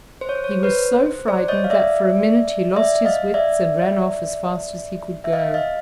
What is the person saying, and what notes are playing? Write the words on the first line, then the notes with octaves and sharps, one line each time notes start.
He was so frightened that for a minute he lost his wits and ran off as fast as he could go.
C5
C#5
C5
C#5
C5
B4 C#5
C5
C5 D5
C#5 D#5
F5
D5 E5
D5 E5
D#5 F5
D5 E5
E5
D#5 F5
D#5 F5